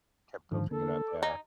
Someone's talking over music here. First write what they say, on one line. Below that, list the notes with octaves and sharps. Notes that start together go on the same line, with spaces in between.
Kept building it up, yeah.
G#2 D3 D#3 F3
D3 A#3 A4
D5
D#4 D5 G#5